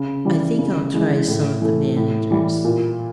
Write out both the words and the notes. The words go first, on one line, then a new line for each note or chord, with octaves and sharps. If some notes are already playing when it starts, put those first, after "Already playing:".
"I think I'll try some of the managers."
Already playing: C#3
E3 G3
C#3
E3 G#3
A2
E3 A3
A2
E3 G3
A#2